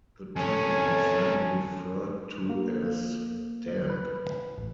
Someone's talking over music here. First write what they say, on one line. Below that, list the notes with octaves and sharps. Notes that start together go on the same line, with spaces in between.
The town was then referred to as "damp".
F2 C#4 A4 C#5 G#5
A#3
B4
A1